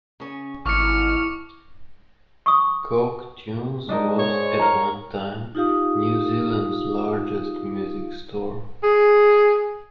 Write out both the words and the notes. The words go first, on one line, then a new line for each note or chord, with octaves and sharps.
Coke Tunes was, at one time, New Zealand's largest music store.
C#3 C#4
G#1 A2 C#6 D6 F6 C#7
C#6 D#6
G#2 D4 D#4 A#4
C#5
A#4 A#5
D#4 F4 G4 F5 D#6
G#4